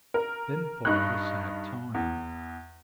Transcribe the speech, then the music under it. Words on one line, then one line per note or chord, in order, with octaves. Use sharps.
Then followed a sad time.
A#4
G2 D#4 C#6 F#6
E2